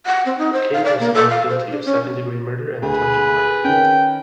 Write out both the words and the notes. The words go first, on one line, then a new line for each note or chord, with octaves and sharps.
King was found guilty of second-degree murder and attempted murder.
F#5
C4
D#4
C5
F5
D5
A#3
A4
F5
C5
D4
C#4
D2 G#4 B4
D#3 C#4 G5